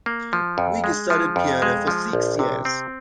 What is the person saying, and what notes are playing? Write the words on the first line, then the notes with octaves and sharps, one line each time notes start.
Vig studied piano for six years.
A#3
F3
F2
G#3
F3
F2
G#3
F3
A#1
C3
C4